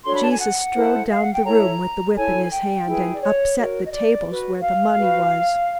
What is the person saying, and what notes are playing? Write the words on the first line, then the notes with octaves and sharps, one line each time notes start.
Jesus strode down the room with the whip in his hand, and upset the tables where the money was.
D4 F#4 A4 C#5 C6
B5
A5
G#5
F#5
E4 A4 C5
F5
F#5
G5
E4 A4 C#5 A#5
E4 A4 C#5 G#5
G5
E4 G#4 B4
D5
C#5
F#4 A#4 C#5
D#5
D5
F#4 B4
F5
F#4 B4